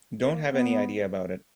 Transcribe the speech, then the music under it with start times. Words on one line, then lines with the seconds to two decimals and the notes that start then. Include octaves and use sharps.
Don't have any idea about it.
0.22 A#3
0.52 B3